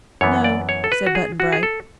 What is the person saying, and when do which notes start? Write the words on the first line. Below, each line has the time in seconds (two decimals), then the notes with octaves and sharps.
"No," said Button-Bright.
0.21 F#2 E3 B3 C#5
0.44 D5
0.69 C#5
0.84 A4
0.92 B4
1.07 F#4
1.15 G#4
1.40 F#4
1.52 G#4
1.63 A4